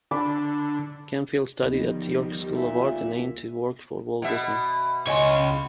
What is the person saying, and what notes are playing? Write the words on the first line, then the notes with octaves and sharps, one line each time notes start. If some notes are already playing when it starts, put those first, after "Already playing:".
Camfield studied at York School of Art and aimed to work for Walt Disney.
D3 D5 A5 B5
D2 D#3 F3 G3 B3 D#4
A#2 E5
B2 E5
C#2 C#5 D#5 G#5 C6